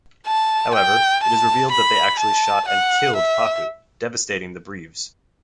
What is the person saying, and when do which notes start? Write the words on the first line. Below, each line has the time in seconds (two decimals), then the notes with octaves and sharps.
However, it is revealed that they actually shot and killed Pacu, devastating the Breves.
0.27 A5
0.75 G5
1.23 A5
1.72 B5
2.19 A5
2.68 F#5
3.16 E5